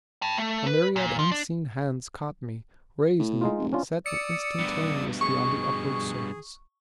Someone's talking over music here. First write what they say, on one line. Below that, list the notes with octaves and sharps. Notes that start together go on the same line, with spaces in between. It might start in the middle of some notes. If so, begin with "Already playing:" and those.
A myriad unseen hands caught me, raised me, set me instantaneously on the upward surface.
G5 A5
A3
B4
A#2
F3
D4
A2
G#3 D#4 F4
F1
C#4 D4 F4
D5 D#6 E6 C#7
G2 B2
G#4 C#6